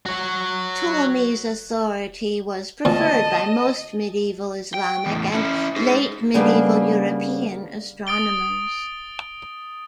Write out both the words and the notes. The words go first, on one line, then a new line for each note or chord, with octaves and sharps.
Ptolemy's authority was preferred by most medieval Islamic and late medieval European astronomers.
F#4 C#5
D2 A#2 D#5 A5
G5
E2 A2
C#4 E4
D#4 G#4
C#3 G3 A#3 B3 D4
D#6 A6 D7 G7